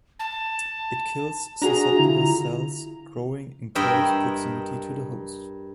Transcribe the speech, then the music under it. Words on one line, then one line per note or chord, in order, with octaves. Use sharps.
It kills susceptible cells growing in close proximity to the host.
A5
D4 F#4 G#4 A#5
D3 E4 F4
G2 A#4 D#5 E5 G5